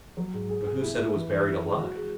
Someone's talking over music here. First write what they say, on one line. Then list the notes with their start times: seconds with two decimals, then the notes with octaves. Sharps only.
"But who said it was buried alive?"
0.17 F#3
0.34 G#2
0.49 G#4
0.66 G#4
0.82 E4
0.99 E4
1.14 E3
1.30 E3
1.47 E4
1.63 G#3
1.79 F#4
1.96 G#3